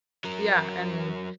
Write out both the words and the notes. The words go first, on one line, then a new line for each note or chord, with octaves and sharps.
Yeah, and
F#3 A#4